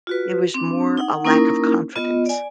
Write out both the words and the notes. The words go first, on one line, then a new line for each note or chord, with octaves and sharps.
It was more a lack of confidence.
F4 F#4 B4
C4 D4
D#4 F#5
A#3 C#4 D#4 E4 A#4
B3 F4 D#5
D5 G#5